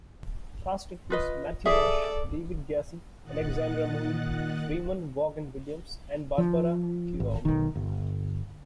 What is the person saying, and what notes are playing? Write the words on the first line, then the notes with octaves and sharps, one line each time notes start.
Cast includes Matthew Marsh, David Gyasi, Alexandra Moen, Ramon Vaughan-Williams and Barbara Keogh.
F4 B4 D#5
G#4 A4 D5 E5
A#2 D#3 D#5 F#5 F#6 A6
F3
G#1
B1 D#3
G1